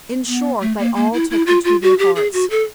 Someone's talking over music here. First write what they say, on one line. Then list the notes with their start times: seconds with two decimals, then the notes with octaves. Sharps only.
In short they all took her to their hearts.
0.27 B3
0.61 A3
0.79 A#3
0.95 A#3
1.13 E4
1.31 E4
1.47 F4
1.65 F4
1.82 F#4
1.99 G4
2.16 G#4
2.33 F#4
2.50 A4